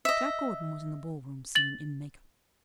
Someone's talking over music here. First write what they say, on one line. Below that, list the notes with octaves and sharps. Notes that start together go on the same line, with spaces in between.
Jack Gordon was in the ballroom scene in make-up.
D#5 E5
A6 F#7